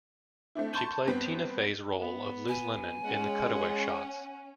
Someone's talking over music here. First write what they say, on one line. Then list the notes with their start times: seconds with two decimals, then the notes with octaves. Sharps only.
She played Tina Fey's role of Liz Lemon in the cutaway shots.
0.55 A3 C4 D4 E4
0.73 A5 C6 C#6 G6
1.07 G2 B3 C4
2.01 B3
2.48 G#5
3.05 G#3 C#4 F#5